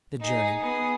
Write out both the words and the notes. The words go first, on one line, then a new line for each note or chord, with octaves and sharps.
The Journey.
D#4 G#4
B3 G#4